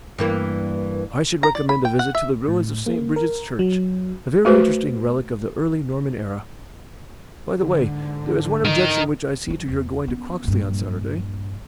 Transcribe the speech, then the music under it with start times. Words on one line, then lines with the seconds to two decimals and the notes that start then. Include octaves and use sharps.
I should recommend a visit to the ruins of St. Bridget's Church, a very interesting relic of the early Norman era. By the way, there is one objection which I see to your going to Croxley on Saturday.
0.19 G2 E3 A#3
1.43 A#5
1.55 D5
1.69 B5
1.85 G5
1.99 F#5
2.15 E5
2.48 A2
2.86 A#3
3.16 A#4
3.59 F#3
4.45 A3 F#4 B4 C5
7.57 G#2 D3
8.65 D#3 D#4
9.47 G2 F3
9.68 E2
10.08 B3 C#4
10.44 A#1 G2